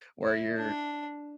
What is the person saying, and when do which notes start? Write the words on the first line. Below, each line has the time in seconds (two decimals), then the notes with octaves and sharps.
where you're
0.23 E4
0.57 D4